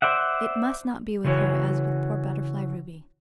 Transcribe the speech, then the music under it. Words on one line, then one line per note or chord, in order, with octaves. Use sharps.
It must not be with her as with poor butterfly Ruby.
C5 D5 E5 F#5
C#3 E3 F#4 C#5